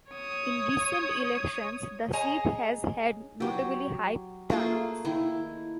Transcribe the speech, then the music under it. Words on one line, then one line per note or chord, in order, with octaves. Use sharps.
In recent elections, the seat has had notably high turnouts.
C#5 D#6
G#4 C#5 D#5 G#5 A#5
F#3 G4
A3 A#3 F4 G#4
D#3 E4